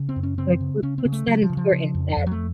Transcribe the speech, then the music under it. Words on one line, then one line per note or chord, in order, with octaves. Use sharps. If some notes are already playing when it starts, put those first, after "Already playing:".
Like, wh what's that important that
Already playing: C#3
C4
F#2
C#4
C#3 C4
C#3
C#3 C#4
C4
C#3
A3
C#3 F#3
F3
C#3
F3
C#3
F2
F2
F#3
A3